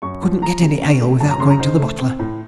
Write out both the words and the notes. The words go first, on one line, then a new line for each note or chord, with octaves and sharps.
I couldn't get any ale without going to the butler.
F#2 C#6
F3
F3 A#5
C#3
C#4
A3
F#2 A5
A#5
C#3 C6
A#5
D#4 C5
A3
C4
A2